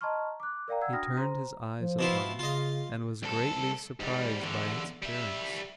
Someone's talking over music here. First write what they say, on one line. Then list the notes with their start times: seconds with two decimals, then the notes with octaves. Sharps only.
He turned his eyes upon it, and was greatly surprised by its appearance.
0.01 D#5 A5 A#5 C6 C#6 F6
0.40 D6 F#6
0.68 A#4 D5 F5 G5 A#5
0.81 F#5 G5 E6 G#6
0.93 D4 F#4 G5 D#6 F6 A#6
1.17 C5 A#5 C6
1.81 F3
1.99 B2 E4 F4
2.39 C#3 F4 D#5
3.23 C2 A4
4.00 G#2 G3
4.42 E2 D3
5.02 G3 E5